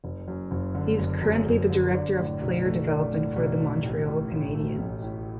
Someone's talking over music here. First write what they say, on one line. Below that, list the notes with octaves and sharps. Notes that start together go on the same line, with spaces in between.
He is currently the director of player development for the Montreal Canadiens.
F#1
F#2
F#1
D3
F#1
F#2
F#1
D3
D4
A2
B1
A3
D4
A2
B1
A3
A1
A2
A1
A3
A1
A2